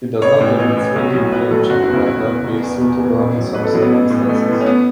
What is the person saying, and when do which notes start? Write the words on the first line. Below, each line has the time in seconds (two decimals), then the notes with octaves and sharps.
It does not limit swinging range, and might not be suitable in some circumstances.
0.22 A1 C#5
0.41 A2 E3
0.59 A1
0.77 A2 E3
0.96 B1
1.14 A2 F#3
1.32 B1 B4
1.51 A2 F#3 A4
1.70 F#1 F#4
1.82 E4
1.88 E2
1.93 C#3 E4
2.07 F#1 E4
2.26 E2 C#3
2.44 E1
2.63 E2 E3
2.81 E1
3.00 E2 E3
3.18 A1
3.36 A2 F#3
3.55 A1 B4
3.64 A4
3.73 A2 F#3 E4
3.82 B3
3.92 A1
4.10 A2 E3
4.29 A1 A3
4.48 A2 E3
4.60 C#4
4.66 B3